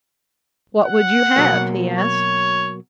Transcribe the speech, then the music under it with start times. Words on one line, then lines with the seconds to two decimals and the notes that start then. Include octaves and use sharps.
"What would you have?" he asked.
0.86 F#5
1.36 B2 F#3 A#3
1.98 C#5